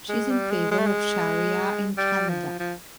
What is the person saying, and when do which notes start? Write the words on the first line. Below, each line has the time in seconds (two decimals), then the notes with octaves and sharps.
She is in favor of Sharia in Canada.
0.09 G#3
0.31 G3
0.51 G#3
0.71 G#3
0.78 A3
0.86 G#3
1.97 G3
2.29 F3
2.59 F3